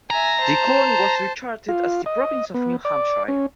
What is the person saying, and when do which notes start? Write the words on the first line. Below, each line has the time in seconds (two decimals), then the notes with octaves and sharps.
The colony was recharted as the Province of New Hampshire.
0.10 E5 G#5 A#5
0.40 C5 A5
1.69 F4
2.06 D#5
2.54 B3
2.85 D5
3.28 C#4